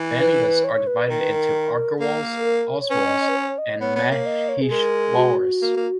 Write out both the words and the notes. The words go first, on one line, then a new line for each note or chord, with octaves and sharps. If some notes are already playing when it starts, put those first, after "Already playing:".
Banias are divided into Aggarwals, Oswals and Maheshwaris.
Already playing: E3
B4
C#5
B4
D#3 A#4
B4
A#4
A#3 A#4
A#4
C#5
C#4 B4
D#5
D#5
B4
C#5
C#5
D#5
B3 C#5
B3
A#3
D#5
C#5
G#4
G#3 A#4
F#4
A#3
A#3